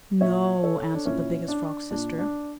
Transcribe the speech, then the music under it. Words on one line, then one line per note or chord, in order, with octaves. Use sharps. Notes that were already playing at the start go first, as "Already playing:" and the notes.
"No," answered the Biggest Frog's Sister.
A#2 C#5 E5
A4 C#5
D4
A#2 C#4 E4
D4
A#2 D4
D4